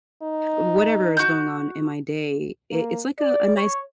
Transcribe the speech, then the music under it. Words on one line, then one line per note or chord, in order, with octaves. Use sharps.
whatever is going on in my day. I it's like a nice
D#4
F#4 G6
A#3
D5
C#5